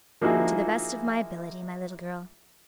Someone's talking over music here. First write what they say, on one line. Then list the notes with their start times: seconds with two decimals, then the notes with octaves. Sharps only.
"To the best of my ability, my little girl."
0.22 F3 A#3 D#4 E4 F#4 G#4